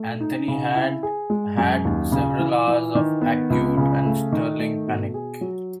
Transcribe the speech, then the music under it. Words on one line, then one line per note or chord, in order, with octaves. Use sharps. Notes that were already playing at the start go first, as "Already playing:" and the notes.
Anthony had had several hours of acute and startling panic.
Already playing: A3
D#4
C#3
E4
G#4
G#3
F#2
D#2
C#3
E3
E3
D#3
B3
C#2
C#3
A3
D#3
A3
B2
G#4
F#3